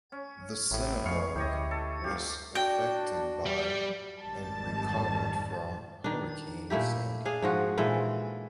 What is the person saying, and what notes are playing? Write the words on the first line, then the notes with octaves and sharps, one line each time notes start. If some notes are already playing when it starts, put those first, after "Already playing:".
The synagogue was affected by and recovered from Hurricane Sandy.
C#4
A1 A2
F2 G#3 F5 C#6
D2 E4 G4 C#5 D#5
A4
F1 G4 F5
D4 F#4 G5
G3
G#1 F2 D#3 G3 A5
D#3 D4
A#2 A3 E4 G4
D4 G#4 F5
G#2 F3 F#4
A#2 E3 G#3 A4